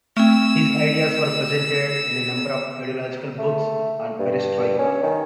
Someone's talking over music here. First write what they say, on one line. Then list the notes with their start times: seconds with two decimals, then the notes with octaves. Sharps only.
His ideas were presented in a number of ideological books on perestroika.
0.17 A3 C4 E6
3.38 A3
4.19 G2
4.78 C#4
5.03 D#3